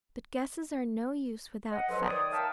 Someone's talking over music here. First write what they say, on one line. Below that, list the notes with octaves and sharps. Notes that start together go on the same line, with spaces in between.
But guesses are no use without facts.
D#5 F#5
G#2 F3 F#3 A4 B4 C6
D#3 C#5 D5 D#6
A#4 E5 F5 G5 A5